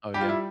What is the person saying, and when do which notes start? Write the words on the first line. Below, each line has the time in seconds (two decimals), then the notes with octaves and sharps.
Oh, yeah.
0.14 G3 G4
0.21 F4
0.28 G3 E4